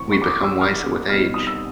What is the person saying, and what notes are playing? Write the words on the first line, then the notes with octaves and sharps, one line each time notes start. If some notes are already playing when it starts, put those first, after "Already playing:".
We become wiser with age.
Already playing: E3 A3 C4 C#6
C#6
D6
D#6
E6
F6
B2 G3 C4 D#4 F6
D#6
E6